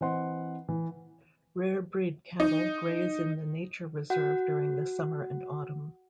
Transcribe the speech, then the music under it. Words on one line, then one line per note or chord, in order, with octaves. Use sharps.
Rare breed cattle graze in the nature reserve during the summer and autumn.
E3 C4 C5 D#5 F#5 C6
E3
D#4
F#4 F#5